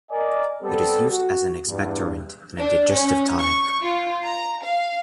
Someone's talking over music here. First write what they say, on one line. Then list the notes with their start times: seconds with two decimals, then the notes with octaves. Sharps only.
It is used as an expectorant and a digestive tonic.
0.11 A#4 D5 D#5 G#5
0.63 G3 B3 C4 G4 A4
1.10 F#4
1.67 E2 G2
2.59 D4
2.91 C#4
3.39 C#6
3.82 F4
4.25 A#5
4.64 F5